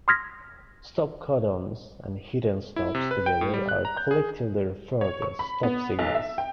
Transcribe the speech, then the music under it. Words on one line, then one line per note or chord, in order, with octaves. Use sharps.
Stop-codons and hidden stops together are collectively referred as stop-signals.
C6 D#6 F6 G#6 A#6 B6
E4
C3
B4
G5
A2
G3
F#6
A#5
G6
G#4
C#5
C#6
B5
B3
B1
E5
G5